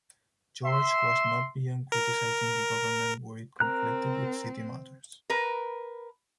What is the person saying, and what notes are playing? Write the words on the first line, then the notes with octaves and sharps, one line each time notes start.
George was not beyond criticizing the government where it conflicted with city matters.
E5 C6
A#4
C4 A#4 A#5 F#6
A#4 B4